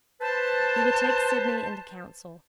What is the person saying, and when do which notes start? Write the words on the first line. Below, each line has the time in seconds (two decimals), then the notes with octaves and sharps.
He would take Sidney into council.
0.21 B4 C5 A5